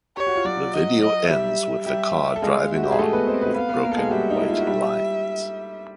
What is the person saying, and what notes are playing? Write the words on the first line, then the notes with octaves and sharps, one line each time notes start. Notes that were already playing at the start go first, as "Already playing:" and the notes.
The video ends with the car driving on with broken white lines.
G4 C#5
F#4
F4
F#3 F#4 D5
D#5
D#5
G3 G4 E5
G3 G4 E5
A4
G#3 G#4 F5
F#4 E5
G4
G#4
A3 A4 D#5
B3 B4
C4 C5
B3 B4
B3 B4 F5
B3 B4
A#3 A#4
A4
G#3 G#4
F#4
G3 G4 E5
D#4
E4
F4
F#4
G3 G4